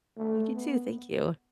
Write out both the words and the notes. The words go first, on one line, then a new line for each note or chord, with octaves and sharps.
Oh, you too, thank you.
A3
B3